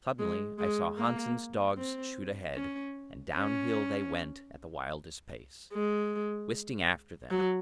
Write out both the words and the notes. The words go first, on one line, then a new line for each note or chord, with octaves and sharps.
Suddenly I saw Hanssen's dogs shoot ahead, and downhill they went at the wildest pace, Wisting after them.
G#3
G#3
A#3
C4
C#4
C#4
G#3
F#3